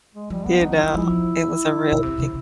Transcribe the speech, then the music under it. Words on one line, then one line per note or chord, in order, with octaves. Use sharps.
You know, it was a real big
G#3
F3 G3
F#3 B3
F#3 D#4
F3 E4
E3
F3
B2
C3
C#3